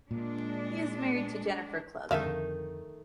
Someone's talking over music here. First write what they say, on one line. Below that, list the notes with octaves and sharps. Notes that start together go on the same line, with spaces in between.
He is married to Jennifer Klug.
A#2 G#3 D4
F2 D3 D#3 A3 D#4 G#4 E5 F5